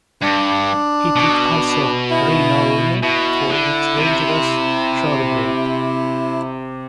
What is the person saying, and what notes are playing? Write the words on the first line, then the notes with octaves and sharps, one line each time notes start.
It is also renowned for its dangerous shorebreak.
G2 D4
B2
E4
B2 E4
D3
C3